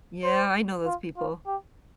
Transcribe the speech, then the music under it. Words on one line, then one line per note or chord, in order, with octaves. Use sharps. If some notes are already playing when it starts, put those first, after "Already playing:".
Yeah, I know those people.
C5
F4
F4
G4